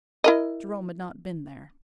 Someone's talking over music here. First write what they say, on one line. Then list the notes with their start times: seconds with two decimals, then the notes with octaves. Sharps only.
Jerome had not been there.
0.24 E4 A#4 D#5